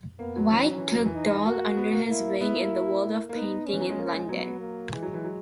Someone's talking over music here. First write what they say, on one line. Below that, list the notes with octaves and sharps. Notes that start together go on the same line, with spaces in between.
White took Dahl under his wing in the world of painting in London.
A#3 B3
F#3
E3 C#4
F#3
E3
F#3
E3
D#4
A#3 F#4
B3
A#3
A#3 E4
B3 E4
A#3
A#3
B3 D#4
C#4
E3
F#3
G#3
A#3
G#3
F#3 B3
A#3
E3 G#3
F#3
E3
F#3